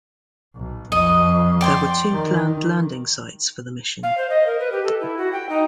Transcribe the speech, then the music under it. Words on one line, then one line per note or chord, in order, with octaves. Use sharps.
There were two planned landing sites for the mission.
B1
F2 D#5
D5 G5 C6
D#3
F5
C5
D#5
A#4
B4
G4
A4
E4
F#4
G5
D#4